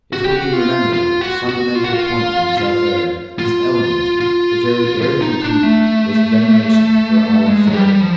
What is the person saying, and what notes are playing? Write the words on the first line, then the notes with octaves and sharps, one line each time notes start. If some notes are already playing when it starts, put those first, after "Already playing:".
It will be remembered that the fundamental point in Javert, his element, the very air he breathed, was veneration for all authority.
F#4
G4
F#4
F4
F4
F#4
F#4
F4
F#4
F4
F4
F4
F4
F4
D#4
D4
A3
G#3
F#3
G3
F3